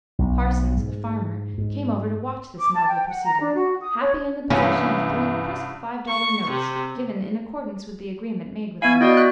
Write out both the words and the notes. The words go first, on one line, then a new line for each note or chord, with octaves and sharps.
Parsons, the farmer, came over to watch this novel proceeding, happy in the possession of three crisp five-dollar notes given in accordance with the agreement made with him.
B1
G#2
G#2
D6
A5
G5
F#5
A#5
D4
F#4
D#6
C#5
C2 G2 E3 C#4
C#6
C3
B3 E4 F5 G#5
E4 F#4 D5 D#5 G5
F#4 F#6